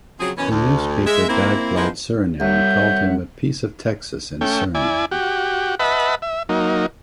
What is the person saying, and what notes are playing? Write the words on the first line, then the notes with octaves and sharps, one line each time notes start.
The newspaper "Dagblad Suriname" called him "a piece of Texas in Suriname".
C#3 F3 F#3 C4 G#4
F#2 B2 E3 C#4
D2
G#3 E5
A#3 C4 E4
F3 G#3 B3 E4 F4 A#4
C2 C#5 E5 F#5 G6
A3 C#4 G5
E4 D5 G#5
F#4 G4
B4 D#5 E5 F#5 A5 B5
E5
F#3 A#3 D#4